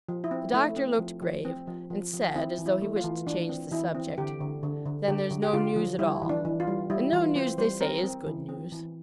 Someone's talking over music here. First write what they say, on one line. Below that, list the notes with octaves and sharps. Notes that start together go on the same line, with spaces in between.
The Doctor looked grave, and said, as though he wished to change the subject, 'Then there's no news at all; and no news, they say, is good news.'
F3
E4
C4
A3 E4
C4
F3
F3
C4
F3
F3
F3
C4 E4
E3
E4
A3
F4
E3
E3 D4
C4
E3 E4
C4
D3 G4
D3
D3
D3
D3 G4
D3
G4
D3 F4
F3
G3 E4
E3
D4
E3
F4
G3
G3 E4
E3 F4
C4 C5
G3 C5
C4 A#4
C4
E3
C4
E3